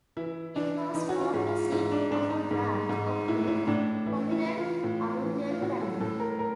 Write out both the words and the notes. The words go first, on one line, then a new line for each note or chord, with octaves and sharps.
It was long a seat of a branch of the prominent Arundell family.
E3 E4
E3 D4
E3 D#4
F#4
F4
G#2
F4
G#2 E4
D4
G#2 D4
D#4
G#2
G#2
A2 E4
E4
A2 D4
E3 E4
E4
E3
F4
A2
E3
F4
A2 F#4
A4
A2 A4
A#4
A#4